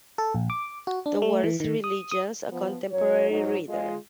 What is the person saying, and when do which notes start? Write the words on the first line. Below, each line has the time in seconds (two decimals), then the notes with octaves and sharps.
The World's Religions : A Contemporary Reader.
0.18 A4
0.35 A#1
0.50 D6
0.87 F#4
1.06 D4
1.22 A3
1.44 E3
1.60 D#3
1.84 D#6
2.11 D#6
2.51 F3 B3
2.92 F#2 F#3 C#5
3.30 G#2 F#3 D#4
3.69 G#3 F4